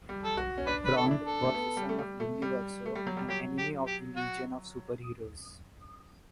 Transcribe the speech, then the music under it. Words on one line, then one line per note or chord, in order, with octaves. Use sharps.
Rond was the son of Universo, an enemy of the Legion of Super-Heroes.
G3
A4
F#4
C#4
D4 B4
B4
A4
E4
D4
A4
A3
B3
G3
A3
G3
A3
G3
A3
G3
F#3
G3
F#3 G4
G4
G4
F#4